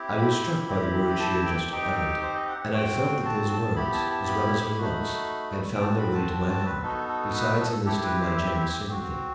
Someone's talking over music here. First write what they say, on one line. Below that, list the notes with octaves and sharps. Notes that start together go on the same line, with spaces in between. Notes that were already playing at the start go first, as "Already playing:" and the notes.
I was struck by the words she had just uttered, and I felt that those words, as well as her looks, had found their way to my heart, besides enlisting my generous sympathy.
Already playing: C4 E4 G4
B5
C4 E4 G4
B5
A5
A5
G5
C4 D#4 G4 G5
G5
C5
D#5
F#5
F#5
C4 F#4 G5
A5
A5
B3 E4 G4 B5
A5
A5
B5
A3 D#4 F#4
G5
C4 F#4 A5
B5
A5
A5
A5
B4
B3 D#4 F#4 A4
A4
B4
A4
C4 E4 G4 A4
B4
C5
E5
C4 F#4